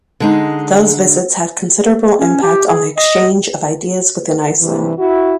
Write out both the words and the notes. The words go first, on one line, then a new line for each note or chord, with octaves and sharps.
Those visits had considerable impact on the exchange of ideas within Iceland.
D3 G#3 D#4
C#4
G4
G#4
D#5
G2 C3 E3
E4 F#4